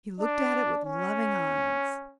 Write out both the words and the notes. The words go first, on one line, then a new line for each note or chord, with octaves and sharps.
He looked at it with loving eyes.
D4
C#4